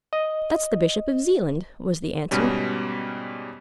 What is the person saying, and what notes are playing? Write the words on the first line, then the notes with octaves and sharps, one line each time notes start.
"That's the Bishop of Zealand," was the answer.
D#5
G#2 B2 G3 C#4